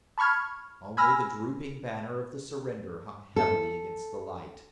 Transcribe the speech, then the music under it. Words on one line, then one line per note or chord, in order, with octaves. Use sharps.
Only the drooping banner of the surrender hung heavily against the light.
A5 B5 C#6 F6 G#6
G#5 B5 E6 F6 A#6
A4